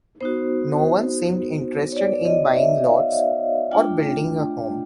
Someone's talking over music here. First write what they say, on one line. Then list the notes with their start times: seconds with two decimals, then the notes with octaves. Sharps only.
No one seemed interested in buying lots or building a home.
0.21 B3 D#4 F#4 C5
1.92 C#5
1.96 D5
2.25 D#5
2.54 E5
2.84 F5
3.71 A3 D4 F4 G5